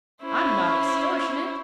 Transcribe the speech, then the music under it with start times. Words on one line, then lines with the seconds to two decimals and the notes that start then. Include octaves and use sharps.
I'm not extortionate.
0.22 C#4 E4 C5